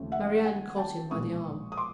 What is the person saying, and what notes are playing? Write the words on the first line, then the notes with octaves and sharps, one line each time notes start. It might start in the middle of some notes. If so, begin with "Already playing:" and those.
Marie-Anne caught him by the arm.
Already playing: D#2 C#3 F3 A3
E5 F#5
F#5 G#5
G5 A5
B1 A#2 F3 G#3 C#6 D#6
D#6
C6 D6